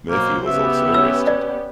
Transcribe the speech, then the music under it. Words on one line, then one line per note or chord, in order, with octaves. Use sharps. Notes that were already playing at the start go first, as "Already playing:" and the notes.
Murphy was also arrested.
B2 F#3 A#3 C5
C#3 B3 G4 E5
C#4 E6
D5